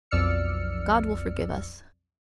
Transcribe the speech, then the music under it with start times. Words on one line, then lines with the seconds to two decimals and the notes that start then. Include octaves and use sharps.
God will forgive us.
0.11 B1 F2 D5 E6 F6 C#7